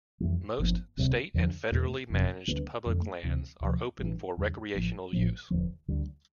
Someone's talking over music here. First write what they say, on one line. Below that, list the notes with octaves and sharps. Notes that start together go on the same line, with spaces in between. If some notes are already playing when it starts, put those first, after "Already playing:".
Most state- and federally managed public lands are open for recreational use.
F2 E3 G3
G1 G2 F3 B3
E1 D2 C3 G3
E2 D3 F3
E2 B2 A3
F1 F2 C3
D2 D3 G3 B3
F2 D3 A3
D2 C3 E3
D2 C3 F3
A1 G2 E3
E2 D3 G3
A1 A2 F3
A1 A2 F3
E1 E2 D3 F3
D2 D3 G3